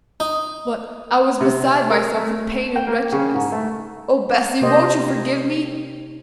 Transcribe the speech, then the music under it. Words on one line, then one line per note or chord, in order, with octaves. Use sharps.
But I was beside myself with pain and wretchedness. Oh, Bessy, won't you forgive me?
D#4
C3
A#4
A3
G5
A#3
C#3
G#2
A3
C3 A#3 G4 C5 D#5